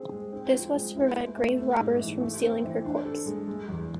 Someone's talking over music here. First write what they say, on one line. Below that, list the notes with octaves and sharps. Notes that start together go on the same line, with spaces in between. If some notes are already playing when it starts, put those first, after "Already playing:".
This was to prevent grave robbers from stealing her corpse.
Already playing: C4 G#4
G#3
C4
F3
G#3
E4
B4
A3
A3
G#2
E3
A3
C4
E3
D4
A4
G#3
G#3
E2